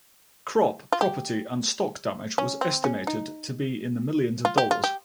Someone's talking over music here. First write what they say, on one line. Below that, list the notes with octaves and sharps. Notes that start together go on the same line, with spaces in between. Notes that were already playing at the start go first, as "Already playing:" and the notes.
Crop, property and stock damage was estimated to be in the millions of dollars.
F4
G4
C#4
C4
C#4
D#4
F4
G4
F4
G4